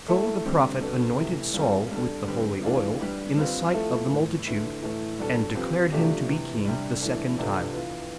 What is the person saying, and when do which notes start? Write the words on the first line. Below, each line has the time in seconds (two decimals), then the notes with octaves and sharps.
So the prophet anointed Saul with the holy oil in the sight of the multitude, and declared him to be king the second time.
0.08 A3 E4 A4
0.45 D3 G3 C4 G4
0.81 B2 B3 D4 A4
1.18 C3 E3 A3
1.54 G3 C4 F4 A4
1.91 G3 D4 A4
2.27 D3 G3 C4 G4 B4
2.63 E3 A3 D4 F4
2.99 G3 D4 G4 B4
3.36 G3 C4 F4 B4
3.73 F3 A3 E4 A4
4.09 A2 E3 B3
4.45 D3 A3 E4 B4
4.82 A2 E3 A3 E4 A4
5.19 B2 G3 D4 A4
5.55 F3 C4 G4 B4
5.92 C3 F3 A3 D4 G4
6.28 C3 E3 B3
6.65 C3 G3 D4
7.01 E3 A3 D4 A4
7.38 C3 F3 B3 D4 A4
7.74 E3 B3 F4 B4